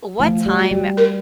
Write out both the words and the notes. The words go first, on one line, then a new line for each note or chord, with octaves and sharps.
what time
F3 A3
G3
F#4
G3
A#4